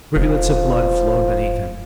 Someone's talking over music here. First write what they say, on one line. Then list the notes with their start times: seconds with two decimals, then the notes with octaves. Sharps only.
Rivulets of blood flowed beneath him.
0.16 E1 F3